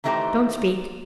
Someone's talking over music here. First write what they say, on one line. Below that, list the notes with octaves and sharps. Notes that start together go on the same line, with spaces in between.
Don't speak.'
D#3 E3 A3 D#4 G4 C5